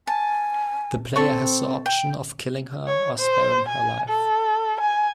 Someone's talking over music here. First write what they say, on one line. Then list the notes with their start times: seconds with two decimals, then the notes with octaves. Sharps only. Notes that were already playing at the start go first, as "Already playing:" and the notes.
The player has the option of killing her or sparing her life.
0.07 G#5 A5
1.16 C4 A4 C#6
1.86 G5
2.87 C#5
3.19 C5
3.69 G#5
4.09 A4
4.81 G#5